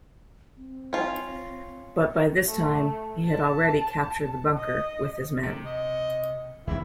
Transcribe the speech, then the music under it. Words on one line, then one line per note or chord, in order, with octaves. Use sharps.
But by this time he had already captured the bunker with his men.
C4
C#4 F4
A3
A5
D#5
C3
D#5
D#2 E3 C4 E4